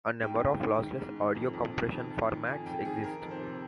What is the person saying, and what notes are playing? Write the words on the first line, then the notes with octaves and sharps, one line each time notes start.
A number of lossless audio compression formats exist.
G#2 G5
G#2
D#3
G#2
G#2
D#3
F2
F2
D#3
F2
F2
D#3
F2 G#5
F2 G5
D#3 G#4
D#3 A#4
F2
C5
C3